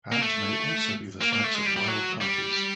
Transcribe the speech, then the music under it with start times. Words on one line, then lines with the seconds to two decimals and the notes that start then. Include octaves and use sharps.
Pads may also be the sites of wild parties.
0.12 A#3
0.22 A3
1.21 A#3
1.33 A#3
1.44 A3
1.55 G#3
1.66 G3
1.77 G3
1.88 F#3
2.21 G3